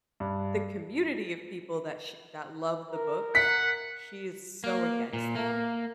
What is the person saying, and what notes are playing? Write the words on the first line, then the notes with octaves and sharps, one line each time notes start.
the community of people that sh that loved the books, she is so against them
G2
A#4
F#5 B6
A#3
A#2
A#3